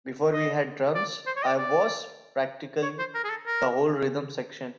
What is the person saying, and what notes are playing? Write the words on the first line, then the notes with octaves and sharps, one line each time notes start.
Before we had drums, I was practically the whole rhythm section.
D#5
D5
C5
C#5
D#5
D5
D5
C#5
C5
A#4
G#4
A4
A#4